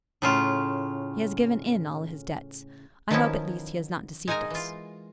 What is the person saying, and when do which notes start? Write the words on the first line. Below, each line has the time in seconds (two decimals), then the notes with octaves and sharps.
He has given in all his debts; I hope at least he has not deceived us.
0.22 A2 C#3 F4
3.10 D#3 F3 F#3 B3 C#4 E4
4.28 G#3 D#4 A#4 G#5 A#5
4.51 E3 F4